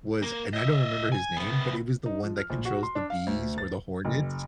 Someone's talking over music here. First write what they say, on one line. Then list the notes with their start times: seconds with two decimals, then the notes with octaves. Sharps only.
was and I don't remember his name- but it was the one that controls the bees or the hornets.
0.22 A#3
0.53 D#5 E5
1.12 G#5
1.37 C3 B3
2.06 D#4
2.23 F3
2.37 F6
2.50 A#1
2.65 F#4
2.83 C6
2.95 D4
3.10 F5
3.27 D2
3.58 A6
4.05 F#1